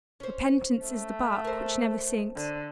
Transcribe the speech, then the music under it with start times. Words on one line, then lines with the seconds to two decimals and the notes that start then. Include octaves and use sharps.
Repentance is the bark which never sinks.
0.20 C#4 C5
0.84 A3
1.44 A#4 C5
2.36 D3